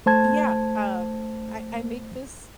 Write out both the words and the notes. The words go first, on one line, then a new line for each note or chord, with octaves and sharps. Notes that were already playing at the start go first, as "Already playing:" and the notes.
Yeah, um, I I make this
A3 C5 A5 G#6